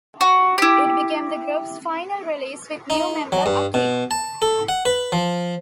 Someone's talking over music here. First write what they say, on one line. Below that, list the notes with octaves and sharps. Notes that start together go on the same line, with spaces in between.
It became the group's final release with new member, Aki.
F#4
E4 G4
D#4
F#3
G2
B2
A5
A4
F#5
B4
F3